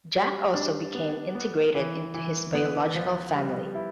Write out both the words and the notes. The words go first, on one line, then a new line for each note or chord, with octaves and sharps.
Jack also became integrated into his biological family.
G3
D4
B3
B3
E3
E3
B3
F3
G3
E4